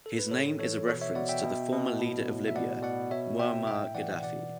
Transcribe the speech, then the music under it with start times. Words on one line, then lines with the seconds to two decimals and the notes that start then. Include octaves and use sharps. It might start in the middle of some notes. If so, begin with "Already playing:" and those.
His name is a reference to the former leader of Libya, Muammar Gaddafi.
0.06 A4
0.19 B4
0.31 A2 A4 C#5
0.60 E3 A4 C#5
0.87 B2 A4 C#5
1.01 C#5 E5
1.15 B2 D5 F#5
1.29 E5 G5
1.43 B2
1.72 B2
1.99 A2
2.28 A2
2.48 E5
2.55 B2 D5 F#5
2.83 B2 D5 F#5
3.11 B2 C#5 E5
3.39 B2 E5 G5
3.67 A2 E5 G5
3.95 E3 D5 F#5
4.23 B2 D5 F#5